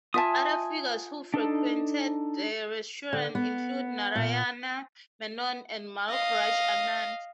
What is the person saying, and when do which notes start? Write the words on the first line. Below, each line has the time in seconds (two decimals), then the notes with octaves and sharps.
Other figures who frequented the restaurant include Narayana Menon and Mulk Raj Anand.
0.14 F4 E5 G#5 A5 D#6
1.34 D4 D#4 A4
3.13 D3
3.35 B3
4.15 A#2
6.10 D#5 F5